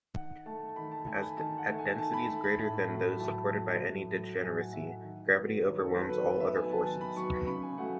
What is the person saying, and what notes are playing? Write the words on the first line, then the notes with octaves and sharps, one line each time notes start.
At densities greater than those supported by any degeneracy, gravity overwhelms all other forces.
D#3 F#5
A3 A5
D#3 B5
A5
A3 G#5
B5
D#3 A5
F#5
A3
G#5
D#3 A5
B5
A3
B5
A2 A5
B5
F#3 A3
B5
A2 A5
F#3 A3
A2
F#3 A3
A2 G#5
F#5
F#3 A3 E5
F#5
D#3
F#3 B3
D#3 C#5
A4
F#3 B3 B4
A4
B4
D#3
E5
F#3 B3 G#5
A5
D#3 A5
B5
F#3 B3 C#6
C#6
C#3 B5
G#5
F#3 A3 F#5